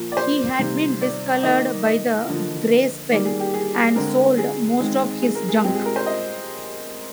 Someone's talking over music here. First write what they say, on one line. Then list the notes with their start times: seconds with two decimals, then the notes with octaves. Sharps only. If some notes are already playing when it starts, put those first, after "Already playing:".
He had been discolored by the Grey Spell and sold most of his junk.
Already playing: A#2 F3 A#3 A#4
0.12 D5
0.17 C5
0.59 C3 D#3 G3
1.01 D5
1.43 D#3 A#3 D#5
1.85 D#5
2.28 D3 F3 A#3
3.11 D#3 G3 A#3 D5
3.25 G#4
3.40 G4
3.54 G#4
3.96 D3 G#3 C4 A#4
4.38 G#4
4.80 D#3 G#3 C4
5.22 G#4
5.35 A#4
5.48 G#4
5.64 A#2 G#3 C4 G4
5.75 G#4
5.85 A#4
5.96 C5
6.06 D#5